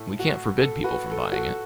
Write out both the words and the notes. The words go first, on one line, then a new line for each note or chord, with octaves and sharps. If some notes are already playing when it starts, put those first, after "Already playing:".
We can't forbid people from buying it.
Already playing: A2 A3 A4
F#4
A4
F#4 B4
A4
F#4
A4